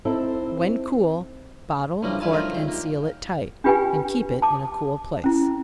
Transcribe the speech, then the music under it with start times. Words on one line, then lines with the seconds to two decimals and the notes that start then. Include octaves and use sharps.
When cool, bottle, cork, and seal it tight, and keep it in a cool place.
0.05 C4 D#4 E4 A4
2.03 G2 C#3 E3 F3 G3 A#3
2.20 D3 E4 F4 G#5 A5
2.33 A2 D#3 F3 F4 A#4 E5
2.52 C#2 G5
2.68 A#3 G4
3.64 D4 F4 G4 B4 G5 G#5
4.42 A5 D6
5.24 C#4 E4